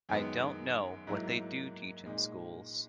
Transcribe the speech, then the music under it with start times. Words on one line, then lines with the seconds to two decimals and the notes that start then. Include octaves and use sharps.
I don’t know what they do teach in schools.
0.09 F#2 D#3 G#3 B3
1.07 G#2 F#3 A#3 E4
2.06 A#2 G#3 D#4